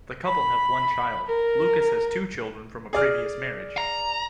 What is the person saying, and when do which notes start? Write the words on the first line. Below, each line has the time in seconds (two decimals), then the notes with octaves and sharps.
The couple have one child; Lucas has two children from a previous marriage.
0.25 B5
1.27 A#4
2.93 G#4 D5 F6
3.78 A#5